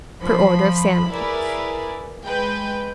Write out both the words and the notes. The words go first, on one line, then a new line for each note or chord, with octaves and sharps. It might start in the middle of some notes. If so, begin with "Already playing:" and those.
Per order of Santa Claus.
F3 B5
E4 G#4 A#4 B4 D5 E5
G#3 B4 G5